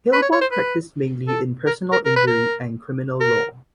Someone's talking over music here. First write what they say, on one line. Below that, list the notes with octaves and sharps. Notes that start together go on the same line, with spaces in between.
Heilbron practised mainly in personal injury and criminal law.
B4
C#5
C#5
C5
B4
A4
A#4
A#4
A#4
B4
A#4
A#4